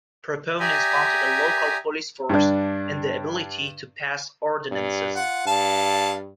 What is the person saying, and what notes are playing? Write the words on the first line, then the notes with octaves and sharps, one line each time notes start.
Proponents wanted a local police force and the ability to pass ordinances.
G4 D5 E5 G#5 A#5 D#6
G2 D4
G2
F4 F#5
G2 F5 A5